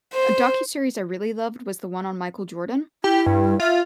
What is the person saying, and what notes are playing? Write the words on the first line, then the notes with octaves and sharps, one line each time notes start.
A docuseries I really loved was the one on Michael Jordan
C5
E4 G4
G2
F4 E5